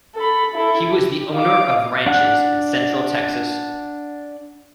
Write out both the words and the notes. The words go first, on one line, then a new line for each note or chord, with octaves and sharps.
He was the owner of ranches in Central Texas.
A4 B5
E4 A4
G4
F5 D6
D4 F#5 F#6